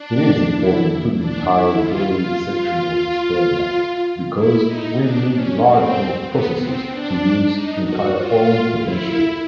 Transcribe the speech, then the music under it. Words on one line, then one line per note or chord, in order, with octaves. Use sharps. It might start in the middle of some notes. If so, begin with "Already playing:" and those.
It is important to the entire dairy section of Estonia, because we need large milk processors, to use entire own potential.
Already playing: D4
E4
D4
E4
F4
F4
F4
E4
D#4
D4
C#4
C4
B3
C4
D4
D#4
F#4
F4
E4